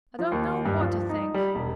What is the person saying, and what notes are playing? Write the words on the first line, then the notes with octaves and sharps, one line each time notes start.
"I don't know what to think."
F3
D#2
G2
F3
D#4
G3
E1